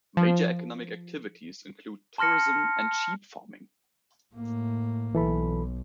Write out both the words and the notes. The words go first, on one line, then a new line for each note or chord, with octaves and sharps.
Major economic activities include tourism and sheep farming.
F3
A5 C6 F6 A#6 C#7
A2 A#3
B1 E3 A4 B5